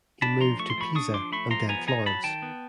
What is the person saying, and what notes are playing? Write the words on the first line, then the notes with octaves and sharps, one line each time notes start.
He moved to Pisa and then Florence.
D4 A5 B5
F3 A#5 C6
A3 C#6
C6
F3 B5 C#6
D4 C#6 D#6
F3 C6 D6
A3 B5 C#6
F3 A#5 C6
B3 G#5 A#5
D#4 G#5 A#5
F#3 A5 B5
D#3 G5 A5
B3